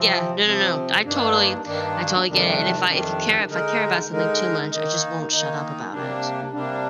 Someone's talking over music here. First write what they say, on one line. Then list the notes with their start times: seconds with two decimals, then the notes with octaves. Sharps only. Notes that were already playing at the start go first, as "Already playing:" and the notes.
Yeah, no, no, no, I totally I totally get it, and if I if you care if I care about something too much, I just won't shut up about it.
Already playing: C3 F3 C4
0.44 C3 F3 C4
1.05 G2 D#3 A#3 D4
1.65 G2 D#3 A#3 D4
2.26 F2 C3 D#3 G3 D4
2.87 F2 C3 D#3 G3 D4
3.48 D3 G#3 D#4 A#4
4.09 D3 G#3 D#4 A#4
4.70 D#3 A#3 D#4
5.31 D#3 A#3 D#4
5.92 C3 G3 A#3 D4
6.53 C3 G3 A#3 D4